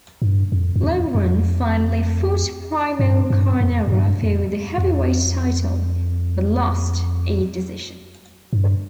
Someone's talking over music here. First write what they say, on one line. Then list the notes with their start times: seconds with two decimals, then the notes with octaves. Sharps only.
Loughran finally fought Primo Carnera for the heavyweight title but lost a decision.
0.22 G2
0.52 F2
0.76 F2
0.83 E2
1.15 F2
2.99 G2
3.30 G2
3.60 F2
3.87 F2
3.92 G2
4.23 F2
4.78 E2
4.83 F2
8.53 G2